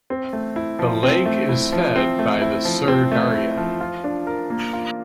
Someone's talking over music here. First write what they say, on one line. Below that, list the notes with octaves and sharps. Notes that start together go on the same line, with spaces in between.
The lake is fed by the Syr Darya.
C4
A3
E4
F3
C4
A3
E4
F3
C4
A3
E4
F3
C4
A3
E4
F3
F4
D4
A#4
A#3
F4